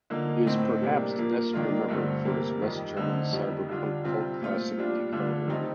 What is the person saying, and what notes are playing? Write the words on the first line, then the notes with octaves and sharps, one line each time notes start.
He is perhaps best remembered for his West German cyberpunk cult classic Decoder.
D3 F3 A#3 D#4
A2 A3 C4 D#4
C3 G3 A#3 D4
A#2 F3 A#3
D#3 A#3 D4 F4
G2 D3 A3 C4
C3 G3 A#3
F2 D#3 G3
D3 A3 C4 D#4
F2 D#3 G3
D3 G3 D4 F4
C3 G3 C4 F4
A#2 A3 C4 F4
A#2 G3 D4 F4
D3 A3 D4 F4
D#3 G3 C4 D#4